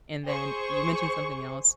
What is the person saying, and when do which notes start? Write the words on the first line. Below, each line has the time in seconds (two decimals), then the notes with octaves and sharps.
And then you mentioned something else
0.25 G#4 C5 C#6